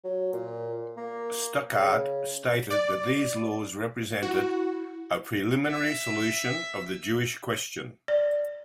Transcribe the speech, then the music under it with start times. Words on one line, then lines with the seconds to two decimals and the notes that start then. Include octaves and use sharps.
Stuckart stated that these laws represented "a preliminary solution of the Jewish question".
0.04 F#3
0.33 A#2
0.97 A#3
1.75 C#3
2.70 D5
4.23 E4 F#4
5.70 E5
8.08 D5